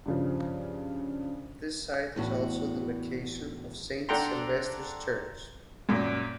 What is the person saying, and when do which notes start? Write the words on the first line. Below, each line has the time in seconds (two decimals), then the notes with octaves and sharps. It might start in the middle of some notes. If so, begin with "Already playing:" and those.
This site is also the location of Saint Sylvesters Church.
0.06 G2 C#3 F3
2.16 E2 A2 F#4
4.09 D4 A4 F#5 G5 A#5 C6
5.89 F#2 A#2